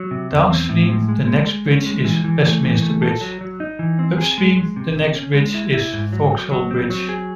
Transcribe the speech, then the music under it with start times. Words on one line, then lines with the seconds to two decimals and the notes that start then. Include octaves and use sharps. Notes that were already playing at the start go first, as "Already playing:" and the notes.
Downstream, the next bridge is Westminster Bridge; upstream, the next bridge is Vauxhall Bridge.
Already playing: F#3
0.11 C3
0.31 E2
0.50 C4
0.69 A2
0.89 G#3
1.09 G#3
1.27 G#3
1.47 G#3
1.66 C#4
1.86 G#3
2.05 E3
2.24 E3
2.44 A3
2.63 E3
2.82 A3
3.02 A4
3.21 F#3
3.41 F#3
3.60 D#4
3.79 E3
3.99 C4
4.18 G#4
4.38 G#3
4.57 G#3
4.76 C3
4.96 C3
5.16 C#4
5.34 G#3
5.54 E4
5.74 E4
5.93 G#2
6.13 F#3
6.32 F#3
6.51 F#3
6.71 C4
6.90 F#3
7.09 G#4